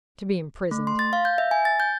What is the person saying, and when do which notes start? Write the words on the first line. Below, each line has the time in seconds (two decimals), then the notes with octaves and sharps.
To be imprisoned.
0.71 A3
0.87 C6
0.99 A6
1.13 F5
1.25 G6
1.38 E5
1.51 G#5
1.65 A6
1.80 G6